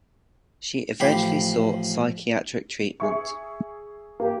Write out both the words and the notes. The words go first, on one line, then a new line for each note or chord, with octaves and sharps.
She eventually sought psychiatric treatment.
A1 F3 G5 B5 C6 D6
G#4 E5 C#6
A#3 G4